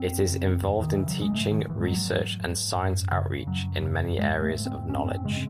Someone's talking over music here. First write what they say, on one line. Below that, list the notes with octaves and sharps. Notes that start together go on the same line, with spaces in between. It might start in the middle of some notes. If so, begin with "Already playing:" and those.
It is involved in teaching, research and science outreach in many areas of knowledge.
Already playing: F#2 C4
C#3
E2
D#3
C#3 E3
F#3
G#3
G#2 A3
D#3
G#2 E3
G#3
F#3
G#2
G#2
F#2
C#3
F#2 F#3
C#3
G#2 G#3
A3
G#2
C4
F#2 C#4
C4
C#3 G#3